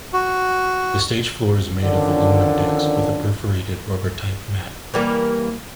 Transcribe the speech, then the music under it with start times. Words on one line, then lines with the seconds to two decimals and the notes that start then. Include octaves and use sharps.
The stage floor is made of aluminum decks with a perforated, rubber-type mat.
0.13 F#4
1.82 D3 D#3 F3 C#4 D4
4.94 E3 G3 A#3